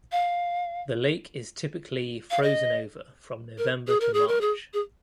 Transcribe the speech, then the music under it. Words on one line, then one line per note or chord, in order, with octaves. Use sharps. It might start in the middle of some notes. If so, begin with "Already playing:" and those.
The lake is typically frozen over from November to March.
F5
F5
D#5
A#4
G#4
A#4
G#4
A#4
G#4
G#4